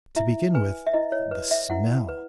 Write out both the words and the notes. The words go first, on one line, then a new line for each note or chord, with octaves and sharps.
To begin with the smell.
E4 E5
B4 G#5
E5
E4 D#5
C#5
B4
E5
E4 F#5
B4